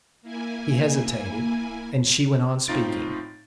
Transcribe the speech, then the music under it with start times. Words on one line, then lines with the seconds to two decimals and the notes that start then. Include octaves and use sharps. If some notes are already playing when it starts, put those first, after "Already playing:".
He hesitated--and she went on speaking.
0.22 A#3 E4 G#5
2.68 A2 C4 D#4 F4 A6 D7